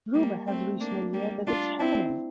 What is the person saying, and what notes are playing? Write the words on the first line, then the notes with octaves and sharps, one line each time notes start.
Rumor has reached my ear that it's happening.
G3 A#3
A3 C4
A#3 D4
G3 A#3
D4 F4
C4 E4